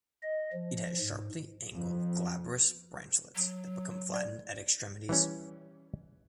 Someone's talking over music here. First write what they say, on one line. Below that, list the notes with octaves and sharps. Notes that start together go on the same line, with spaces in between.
It has sharply angled glabrous branchlets that become flattened at extremities.
D#5
F3
G#2
F2
F#3
D5
E3 G3 C#4